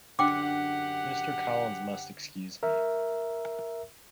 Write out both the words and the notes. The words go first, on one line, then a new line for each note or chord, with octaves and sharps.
Mr. Collins must excuse me.
F#2 D3 G4 F#5 G5 D6
A#4 E5